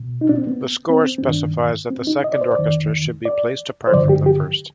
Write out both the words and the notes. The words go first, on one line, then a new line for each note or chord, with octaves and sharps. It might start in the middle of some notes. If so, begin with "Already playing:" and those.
The score specifies that the second orchestra should be placed apart from the first.
Already playing: B2
D#4
D4
C4
B3
C4
C4
G2 D#3 D4
C4
D#4
D#5
D5
C5
D5
F2 D#3
D5
C5
G2 D3 F3 D5
G4
G4